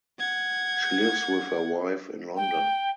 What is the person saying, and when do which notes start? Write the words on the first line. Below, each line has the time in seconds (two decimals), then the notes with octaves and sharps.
She lives with her wife in London.
0.19 F#5 G#6
2.37 G5